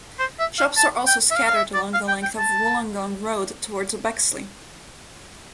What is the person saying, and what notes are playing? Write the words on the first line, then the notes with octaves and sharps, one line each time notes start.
Shops are also scattered along the length of Wollongong Road towards Bexley.
C5
E5
F5
A5
G5
E5
F5
F5
E5
D5
F5
G5
G5
A5